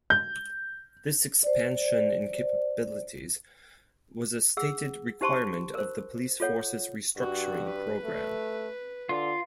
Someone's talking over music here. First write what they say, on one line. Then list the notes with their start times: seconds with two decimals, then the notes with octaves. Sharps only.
This expansion in capabilities was a stated requirement of the police force's restructuring program.
0.10 G6
1.43 C5 D5
4.57 G#4 F#5 E6
5.21 D#4 G4 C5 A5 C6 C#6
5.75 A#4 C5
6.40 F4 A4 C#5 F#5
7.17 G2 F#4
7.70 B4
8.04 A3
9.09 D3 F4